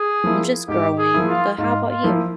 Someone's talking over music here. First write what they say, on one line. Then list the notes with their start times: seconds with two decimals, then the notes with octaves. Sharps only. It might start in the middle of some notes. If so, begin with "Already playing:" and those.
I'm just growing, but how 'bout you?
Already playing: G#4
0.24 F3 A#3 E4
0.68 G#2 G4
0.98 G#4
1.14 F3 A#3 E4
1.28 F4
1.58 G#2 F4
1.89 F4
2.03 F3 A#3 E4